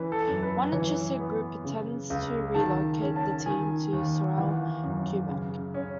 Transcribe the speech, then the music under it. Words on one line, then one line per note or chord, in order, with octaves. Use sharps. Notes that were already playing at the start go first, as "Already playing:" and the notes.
One interested group intended to relocate the team to Sorel, Quebec.
Already playing: E3 C#4 B4
A4
F#2
B4
E3 C#5
B3
C#3
C#2
D#3 A5
C#4
A5
D#3 G#5
D#2
E3 F#5
F#2
C#3
C#4